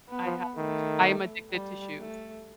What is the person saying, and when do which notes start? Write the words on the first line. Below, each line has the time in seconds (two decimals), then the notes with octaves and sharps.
I have sh I am addicted to shoes.
0.10 B3
0.25 F3
0.57 D#3 A3
1.52 G3
1.99 A3